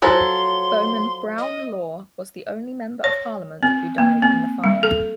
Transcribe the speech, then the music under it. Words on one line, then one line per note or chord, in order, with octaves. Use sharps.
Bowman Brown Law was the only member of parliament who died in the fire.
F3 F#3 A4 C6
D#5
C#5
C4
A#3
C4
G3
A4